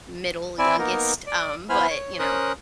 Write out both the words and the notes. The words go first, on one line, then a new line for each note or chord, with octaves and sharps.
middle youngest, um, but, you know,
C4 E4 D5 E5 G#5
A#3 B3 D#4 A#4
D5
B3 E4 C5 G#5 B5 F6
C#5
C#4 A#4 C5 D#6 F#6